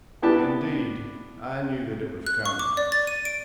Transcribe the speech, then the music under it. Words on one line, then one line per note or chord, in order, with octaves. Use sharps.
"Indeed, I knew that it was coming."
B3 D4 E4 G4 A5
F#6
C#6
D6
D5
A6
D#7
D7